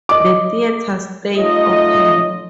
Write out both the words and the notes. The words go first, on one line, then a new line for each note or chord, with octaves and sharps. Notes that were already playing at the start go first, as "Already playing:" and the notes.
The theatres stayed open.
D#5 D6
A3 D#4 F4 C#5 D#5